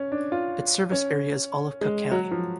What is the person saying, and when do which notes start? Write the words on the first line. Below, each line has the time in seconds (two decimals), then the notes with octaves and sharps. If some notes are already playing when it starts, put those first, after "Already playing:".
Its service area is all of Cook County.
Already playing: C#4
0.12 D4
0.32 F4
0.92 C#4
1.81 G#3
2.11 F#3
2.31 F3